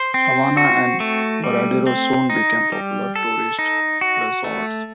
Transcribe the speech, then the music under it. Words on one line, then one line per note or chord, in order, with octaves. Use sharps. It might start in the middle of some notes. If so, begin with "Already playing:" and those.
Havana and Varadero soon became popular tourist resorts.
Already playing: C5
C4
F#4
A3
G3
C4
D#4
G3
A4
D#4
F#4
A3